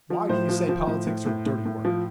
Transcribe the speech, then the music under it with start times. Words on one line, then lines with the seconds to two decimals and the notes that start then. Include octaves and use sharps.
"Why do you say politics are dirty work?"
0.10 F3
0.29 A2 C5
0.49 F3
0.69 F3
0.87 A2
1.07 A2
1.26 A2
1.46 A2
1.66 A2
1.85 F3